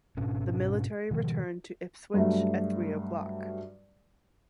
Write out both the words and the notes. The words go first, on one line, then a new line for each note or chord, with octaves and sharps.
The military returned to Ipswich at three o'clock.
G#2 B2 C#4 D4
B2 D#3 F3
G2 F#3 A3